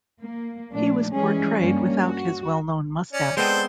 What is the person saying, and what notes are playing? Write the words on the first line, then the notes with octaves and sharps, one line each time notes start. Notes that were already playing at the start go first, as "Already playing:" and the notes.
He was portrayed without his well-known mustache.
A#3
A#2 F3 A3 D4
E3 G3 G#3 C#4 G#4
G2 G3 A#3 C#4
F#4
C#4 D5
G#3 B3 C4 A4 C5 D5